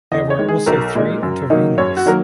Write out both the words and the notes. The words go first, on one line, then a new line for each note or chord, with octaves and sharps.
There were also three Intervenors.
E2 D#5
C#5
D#3 G#3
G#4
B1 A#4
A#2 G#3 D#4
F#2
D#3 F#3 A#3 D#4
F#2 C#5
F#4
D#3 F#3 A#3 A#4